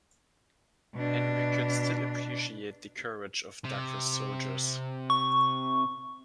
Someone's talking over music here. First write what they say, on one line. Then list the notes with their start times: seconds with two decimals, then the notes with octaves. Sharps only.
Henry could still appreciate the courage of Dacre's soldiers.
0.95 B2 D4
3.65 C3
5.10 C#6